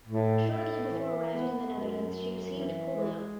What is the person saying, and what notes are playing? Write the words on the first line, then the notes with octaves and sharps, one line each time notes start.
Shortly before arriving in the Netherlands she received polio.
A2
A2
E3
B3
F#2
F#2
E3
G#3